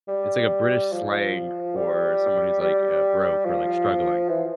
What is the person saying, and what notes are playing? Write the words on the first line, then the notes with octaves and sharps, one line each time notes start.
it's like a British slang for someone who's, like, uh, broke or, like, struggling.
G3
F3
G3
G3
F3
E3